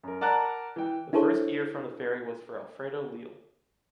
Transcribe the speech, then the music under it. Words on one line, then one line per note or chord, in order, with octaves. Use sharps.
The first ear from the fairy was for Alfredo Leal.
F#2 A#4
A#4 D5 F#5 A5 A#5 F#6
E3 G5
D4 E4 G#4 A4 C5 C#5